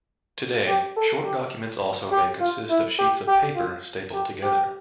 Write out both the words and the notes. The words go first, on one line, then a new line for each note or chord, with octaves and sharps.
Today, short documents also may consist of sheets of paper stapled together.
G4
A4
G4
G4
F4
E4
G4
G4
F4
G4
G4